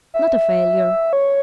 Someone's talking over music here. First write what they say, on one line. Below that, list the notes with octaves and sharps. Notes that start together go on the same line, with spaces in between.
'Not a failure.
E5
C#5